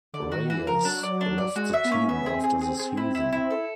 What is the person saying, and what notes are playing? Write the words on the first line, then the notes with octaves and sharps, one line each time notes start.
Reyes left the team after the season.
D3 D5
D#3 F#4
E3 F#4
F3 A#4
F#3 D4
D5
D4
D5
G#3 F#4
E5
B3
A#3 C#4
B3 E5
C4 G#4
G#4
G#4
G#4
E4
E4
E4
A4